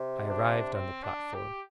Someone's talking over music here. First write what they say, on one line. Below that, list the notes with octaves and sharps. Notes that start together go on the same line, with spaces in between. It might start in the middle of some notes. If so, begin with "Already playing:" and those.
I arrived on the platform.
Already playing: C3
D4
C4
D4
G4